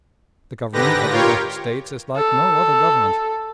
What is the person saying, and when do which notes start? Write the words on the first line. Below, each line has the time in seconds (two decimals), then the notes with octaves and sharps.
The Government of the United States is like no other government.
0.72 G#2 D3 G4 B4 A#6
1.10 F4 G4 A#4 C#5 G5
2.16 A4